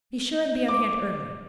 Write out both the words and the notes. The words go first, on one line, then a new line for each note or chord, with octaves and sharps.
"Be sure and be on hand early."
D6